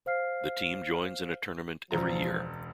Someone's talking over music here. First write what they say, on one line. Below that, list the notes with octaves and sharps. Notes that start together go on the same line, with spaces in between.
The team joins in a tournament every year.
C5 F5 F6 C7
E1 C#2 F3 A#5